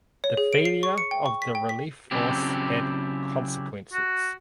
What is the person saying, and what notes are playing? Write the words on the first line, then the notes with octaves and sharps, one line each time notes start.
The failure of the relief force had consequences.
C#5
G#4
D7
C7
C#6
C#7
G5
C#6
B6
G5
B6
C#3 F#3 C4 D4 E4 G4
F#4